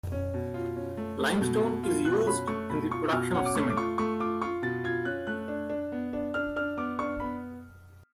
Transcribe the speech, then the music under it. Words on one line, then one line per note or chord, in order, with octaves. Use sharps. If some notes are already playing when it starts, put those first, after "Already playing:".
Limestone is used in the production of cement.
C#4
B2
F4
C#4
A3
A3
B2
B2
F4
B2 F#6
C#4 B5
A3 C#6
B2 B5
F4 C#6
B2 F6
C#4 F#5
D6
A3 C#6
D6
F4 C#6
A3 C#6
F4 D6
F4 C#6
B2 A6
F4 G#6
C#4 F#6
A3 F#6
D4
D4
B3
D4
D4 F6
D4 F6
B3 D6
D4 C#6
B3 B5